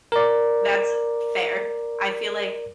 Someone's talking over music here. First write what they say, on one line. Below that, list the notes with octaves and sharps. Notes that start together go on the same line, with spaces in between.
That's fair. I feel like
A#4 D5